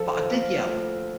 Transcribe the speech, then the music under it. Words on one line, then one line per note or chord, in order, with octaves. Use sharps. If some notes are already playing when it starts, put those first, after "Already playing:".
But I did yell.
Already playing: F3 A4
A#3 F4 A#4
D2